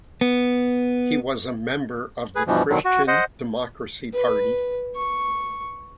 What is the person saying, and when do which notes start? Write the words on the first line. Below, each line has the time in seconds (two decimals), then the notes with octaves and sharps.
He was member of the Christian Democracy Party.
0.21 B3
2.35 G#4 B4
2.47 G2 B2 E3 F3
2.70 B2 D3 D#3 F#3
2.85 F#4
3.08 C5 D#5 F#5
4.13 B4
4.95 C#6